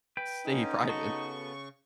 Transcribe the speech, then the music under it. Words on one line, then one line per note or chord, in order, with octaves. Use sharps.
stay private.
B4 G5
D3 C#4 D#4
C#3 B3 F#4 A4 C#6